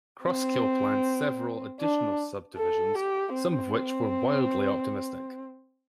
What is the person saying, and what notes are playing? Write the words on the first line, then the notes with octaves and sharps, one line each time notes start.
Crosskill planned several additional subdivisions, some of which were wildly optimistic.
C4
D4
A4
G4
C4